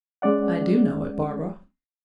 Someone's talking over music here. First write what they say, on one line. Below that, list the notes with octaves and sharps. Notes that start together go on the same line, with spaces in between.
"I do know it, Barbara."
G#3 C#4 D5 F#5